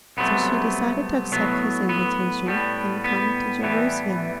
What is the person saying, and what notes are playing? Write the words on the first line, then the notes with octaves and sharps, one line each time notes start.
So she decided to accept his invitation and come to Jerusalem.
C2 C3 F#3 A3 B3
A2 F#3 B3
B3
A2 G3 B3
B3
A2 E3 G3 B3